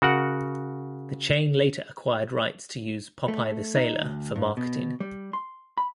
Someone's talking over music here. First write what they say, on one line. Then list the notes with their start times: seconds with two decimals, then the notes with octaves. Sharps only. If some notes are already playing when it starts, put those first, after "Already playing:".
The chain later acquired rights to use "Popeye the Sailor" for marketing.
0.02 C#3 F#4 A#4 F#5
3.28 A3
3.76 D#4
4.02 D2
4.36 G2
4.57 B2
5.00 G3
5.33 C6
5.78 B5